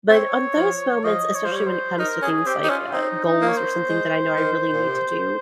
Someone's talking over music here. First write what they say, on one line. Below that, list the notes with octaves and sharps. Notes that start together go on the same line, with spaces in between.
but on those moments, especially when it comes to things like, uh, goals or something that I know I really need to do,
C4 C#5
F3
F3 D#5
C#5
F3 C5
G3 C#5
C5
D#4 A#4
C#4 G#4
C4 G4
D#4
C#4 F4
C4 D#4
D#4
A#3
C#5
C5
G#3
D#3
A#2
C3